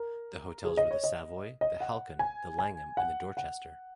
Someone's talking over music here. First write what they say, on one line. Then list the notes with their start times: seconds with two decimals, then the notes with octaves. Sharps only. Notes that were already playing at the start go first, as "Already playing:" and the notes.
The hotels were the Savoy, the Halkin, the Langham and the Dorchester.
Already playing: A#4
0.65 G#4
0.77 D#5
0.91 C#5
1.04 D#5
1.61 D#5
1.81 F#5
2.19 G#5
2.59 G#5
2.97 F#5
3.37 F#5